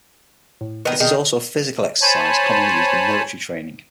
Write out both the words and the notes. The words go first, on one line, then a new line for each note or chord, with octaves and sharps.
It is also a physical exercise commonly used in military training.
A2
D#3 B3 B4
D#3 G#4
C5 C#5 G#5 A5 B5